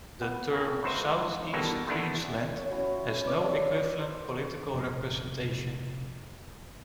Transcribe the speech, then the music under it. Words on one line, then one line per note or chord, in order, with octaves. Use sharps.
The term South East Queensland has no equivalent political representation.
B3
F2 C#3 A#3
C#2 F#4 B4 C5 E5
G2 B2 G3 A#3 B3 A4
A#2 C#3 A3 B3 D4 E4
E2
C#5
C#4 E4 F#4
F4
B4 C#5 D5 E5
C5
F1 A#2